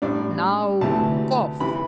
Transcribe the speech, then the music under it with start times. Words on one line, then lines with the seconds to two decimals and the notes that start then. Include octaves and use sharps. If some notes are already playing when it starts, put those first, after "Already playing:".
"Now cough."
0.02 A1 A2 G3 D4 D5
0.81 D2 C3 E3 A3 A5
1.60 C3 E3 B5